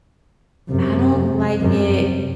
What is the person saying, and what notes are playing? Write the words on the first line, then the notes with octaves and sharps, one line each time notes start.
I don't like it
F#2 C3
F#2 C3